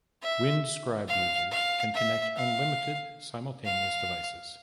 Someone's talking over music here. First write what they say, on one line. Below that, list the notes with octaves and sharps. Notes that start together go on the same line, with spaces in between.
Windscribe users can connect unlimited simultaneous devices.
E5
F5
F5
E5
F5
F5